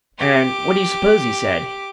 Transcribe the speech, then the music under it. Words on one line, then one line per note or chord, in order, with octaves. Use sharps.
And what do you suppose he said?
G4 D6